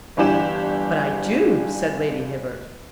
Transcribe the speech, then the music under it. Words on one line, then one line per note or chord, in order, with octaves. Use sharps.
"But I do," said Lady Hibbert.
G1 E3 D4 G4 E7